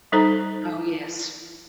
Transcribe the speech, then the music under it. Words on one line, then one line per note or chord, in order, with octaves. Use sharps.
Oh, yes.
G3 D#4 A4 C5 A#5